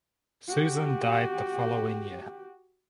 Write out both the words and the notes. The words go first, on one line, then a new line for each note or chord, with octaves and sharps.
Susan died the following year.
F#4 G4